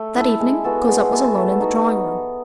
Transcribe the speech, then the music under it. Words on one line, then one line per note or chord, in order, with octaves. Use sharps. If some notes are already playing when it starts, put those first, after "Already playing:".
That evening, Cosette was alone in the drawing-room.
Already playing: A3
E4 A4
G#3
B3 F#4 A4
G#3
B3 F#4 A4
A3
D#4 F#4